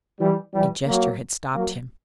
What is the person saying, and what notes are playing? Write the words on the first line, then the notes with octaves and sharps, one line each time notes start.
A gesture had stopped him.
E3 G3
E3 G3
F#3 A#3
F#3 A#3